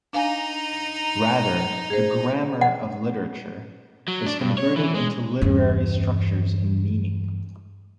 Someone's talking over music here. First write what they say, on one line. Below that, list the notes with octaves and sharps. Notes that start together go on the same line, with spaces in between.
Rather, the "'grammar' of literature" is converted into literary structures and meaning.
D4 D#4 F5 G#5 A#5
G#4 C5
F#5
F#3
D4
G2
C#5
E3
G#3
E2 G2